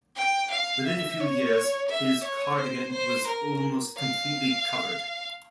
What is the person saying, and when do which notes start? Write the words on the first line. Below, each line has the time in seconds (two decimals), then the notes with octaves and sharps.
Within a few years, his cardigan was almost completely covered.
0.16 G5
0.51 F5
0.86 E5
1.20 C#5
1.89 E5
2.24 C#5
2.58 C5
2.93 C5
3.28 A#4
3.97 F5